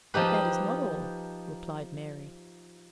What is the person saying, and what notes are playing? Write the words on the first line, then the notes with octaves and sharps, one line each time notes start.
"But that is not all," replied Mary.
F3 D#4 G4 B4